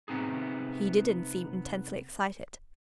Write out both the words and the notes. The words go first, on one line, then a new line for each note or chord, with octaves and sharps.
He didn't seem intensely excited.
C3 B3 C4 D#4 G#4